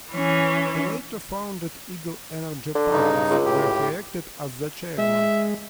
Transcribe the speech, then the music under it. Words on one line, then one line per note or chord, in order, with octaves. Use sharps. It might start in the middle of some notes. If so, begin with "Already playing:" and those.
He later founded Eagle Energy Partners where he acted as the chairman.
E3 C#4
D3
G2 C#3 D#4
C#2
A2 G4
G#3 E5